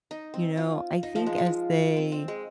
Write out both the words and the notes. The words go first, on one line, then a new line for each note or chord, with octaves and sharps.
you know? I think as they
D#4
C4
F4
D#4
F3
G#3
F4
C4
C4
G#3